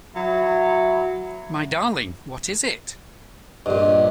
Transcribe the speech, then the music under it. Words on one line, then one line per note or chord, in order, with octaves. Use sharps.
My darling, what is it?
F#3 E4
A#1 G2 D#5